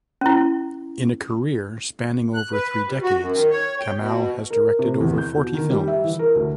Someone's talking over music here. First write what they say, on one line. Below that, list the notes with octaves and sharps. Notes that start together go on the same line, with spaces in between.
In a career spanning over three decades, Kamal has directed over forty films.
C#4 E4
F#6
B4
G3
F#4
F#2
D#3
C#5
G5
B2
A#4
C3
E2
G6
B2
D#3
G3
E5
E3
A#4
D2